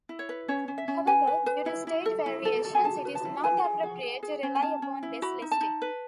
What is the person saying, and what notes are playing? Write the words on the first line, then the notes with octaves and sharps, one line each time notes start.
However, due to state variations it is not appropriate to rely upon this listing.
E4
C#5
B4
C#4 C#5
C#4
E5
C#4
B4 G#5
B4
B4
E4
E4
A4
E4
A4
A4
G#5
G#4 A5
B4
A5
E4
B4 G#5
G#4
G#4
G#4
G#4
C#4
G#5
C#4 A5
C#4
E4
F#4 B5
D#4
A5
D#4
B4